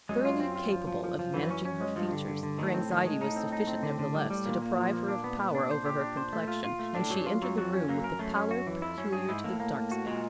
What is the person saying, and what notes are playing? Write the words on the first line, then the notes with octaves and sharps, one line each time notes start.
Thoroughly capable of managing her features, her anxiety was sufficient nevertheless to deprive her of power over her complexion, and she entered the room with the pallor peculiar to the dark-skinned.
F#2 G#3
F4
C4
F4
F3
F3
F3
F3
F#2 E3
C#4
C#4
G#3
G2 F3
D3
D3
D3
A2 D#3
C4
D#3
G#3
A2 D#4
C4
D#4
C4
D3
D3
G3
G3
A#2 A#3
A#3
F3
A#3
D4
B3
B3
D4
C5
G4
D4
C5
A3
F4
F4
A3
A2 D4
F#2 F#3
F4
F#2 F#3
F2 F#4
C#4
F#2 A#3
A#4
F#2 A3
C#4
F#4
E3
F2 E4
F#2 C#4
G2 G#4
G#2 E4
A2 A#3
A#3
A#3
F#4
A#2 G#3